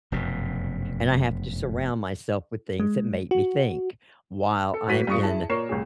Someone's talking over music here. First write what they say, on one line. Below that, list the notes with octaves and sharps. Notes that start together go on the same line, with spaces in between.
and I have to surround myself with things that make me think while I'm in
F1 F#2 B2
G#3
F#4
A4
G#2 F#3 F#4 B4 B6 D#7
G2 F4 C#6 D#6 C#7
E4 G#4 A5
A#2 A#4 C#5 C#6 C7 E7
C2 A2 G#4